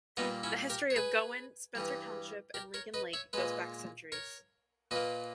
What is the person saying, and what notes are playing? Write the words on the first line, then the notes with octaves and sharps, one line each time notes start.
The History of Gowen, Spencer Township and Lincoln Lake goes back centuries.
A#2 G3 A#3 B3 D#4
C#4 E4
G4 A#4
C#5
G#4 B4
G2 E3 G3
G4 A#4
A#4 C#5
B4 D#5
C#5 E5
A#2 G#3 B4 D#5
A#4 C#5
A#2 A#3 B4 D#5